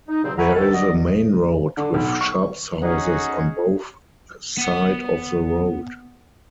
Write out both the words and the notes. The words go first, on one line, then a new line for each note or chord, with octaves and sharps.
There is a main road with shops houses on both side of the road.
D#4
E2 G2 A#2 C#3 F#3 C4
E5 F#5 G#5 A#5 B5 C#6
C2 D#3 G3 A4
F#4 D5 D#5
D3
B1
C#6
C#4 D#4 F#4 G#4 D#5 F#5
B3 F#5